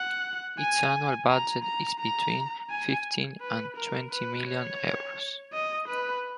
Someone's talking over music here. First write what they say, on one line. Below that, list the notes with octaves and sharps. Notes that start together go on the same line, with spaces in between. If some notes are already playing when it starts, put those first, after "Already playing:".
Its annual budget is between fifteen and twenty million euros.
Already playing: F#5
G#5
A#5
A#5
A#5
G#5
B4
A#4
B4
C#5
D#5
B4